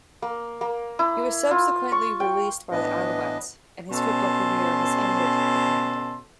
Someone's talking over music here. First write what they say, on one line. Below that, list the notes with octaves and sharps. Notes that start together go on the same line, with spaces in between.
He was subsequently released by the Alouettes, and his football career has apparently ended.
A#3
A#3
E4
F4
C#6
G5
A2 E3 B3 D4 B4 D#5
B2 C#4 A4 A5 C6